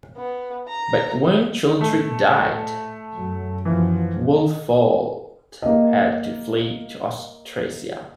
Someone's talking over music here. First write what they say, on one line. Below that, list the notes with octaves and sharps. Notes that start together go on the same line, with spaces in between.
But when Childeric died, Wulfoald had to flee to Austrasia.
B3
A#5
A2 A3
F#2 F#3
F#2 E3 F3 B3
A#3 D#5